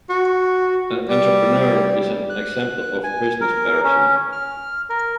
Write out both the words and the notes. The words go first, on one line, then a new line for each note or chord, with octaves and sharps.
An entrepreneur is an example of a businessperson.
F#4
G3
F#6
G#5
A#4
C#4
F6
A#4